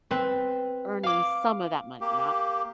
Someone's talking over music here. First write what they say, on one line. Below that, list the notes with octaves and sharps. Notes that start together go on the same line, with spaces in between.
earning some of that money, not,
C4 B4
F5 D6
A#3 G4